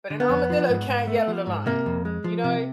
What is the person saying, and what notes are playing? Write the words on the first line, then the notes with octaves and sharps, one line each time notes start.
but an armadillo can't yell at a lion, you know.
D3
B3
F2
F3
G#2
G#2
A3
F3
G#2
C3 A#3
F2
G#3
F3
C3